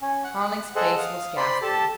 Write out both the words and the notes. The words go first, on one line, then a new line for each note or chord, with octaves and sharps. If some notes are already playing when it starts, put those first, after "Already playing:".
Carling's face was ghastly.
C#4
F#5
G#4 A4 C5 D#5 F#5
F5 D#6
C5 D5 B5 C6
G4 A4 A5